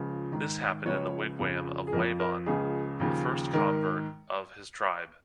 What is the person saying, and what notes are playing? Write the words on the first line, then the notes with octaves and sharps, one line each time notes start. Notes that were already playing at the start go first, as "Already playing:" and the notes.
This happened in the wigwam of Waban, the first convert of his tribe.
Already playing: C#2 C#3 F3
G#2 D#3
C#2 C#3 F3 C#5
F2 C#3 F3
G#4
F2 F3 A#4
A#4
C#2 C#3 F3 G#4
D#2 C#3 F3
G#2 D#3 A#4